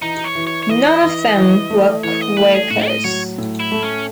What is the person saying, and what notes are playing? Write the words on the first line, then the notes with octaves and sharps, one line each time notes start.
None of them were Quakers.
E3 D#4
C#5
E3
C#5
C#5
E3 D#5
E3
E3
A3
E3 C#5
D#5
A3 B4
G#4
A2 F#4
D#5
F#3 C#5
A2
E4
A3
C#4